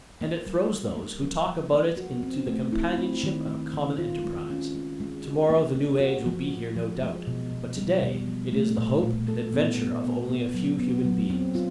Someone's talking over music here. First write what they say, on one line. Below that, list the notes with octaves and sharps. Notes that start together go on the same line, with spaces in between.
And it throws those who talk about it into the companionship of a common enterprise. To-morrow the New Age will be here no doubt, but today it is the hope and adventure of only a few human beings.
A#3
G3
G3
A#3
F3
F3
A#3
F#4
C4
A3
E4
C4
D#3
D#3
D#3
F4
G#3
C#4
G#3
G#3
F#4
A#3
A#3
F#4
F3
F3
F3
G#3
B2
B2
G3
B2
F3
A3
A#2
A#2
A4
B3
B3
B3
B3
F#3
B3
F#3
C4
F4